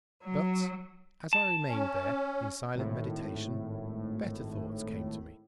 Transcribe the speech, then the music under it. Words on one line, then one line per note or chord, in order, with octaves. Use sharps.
But as I remained there in silent meditation, better thoughts came to me.
F#3
A5
C#4
G#1 A2